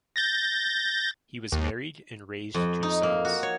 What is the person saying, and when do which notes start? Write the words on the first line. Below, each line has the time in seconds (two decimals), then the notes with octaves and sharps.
He was married and raised two sons.
0.16 G6 A6 A#6
1.52 D#2
2.54 F2
2.83 D#4
3.03 A#3
3.25 F#4
3.43 C#5